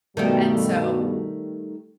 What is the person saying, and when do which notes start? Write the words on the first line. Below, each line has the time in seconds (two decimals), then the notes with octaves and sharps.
and so,
0.17 G2 B2 D#3 G3 A3